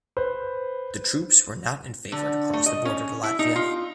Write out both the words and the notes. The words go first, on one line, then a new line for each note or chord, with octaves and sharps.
The troops were not in favor to cross the border to Latvia.
B4 C5
D3
A3
D#5
C#4
E4
D#4
F4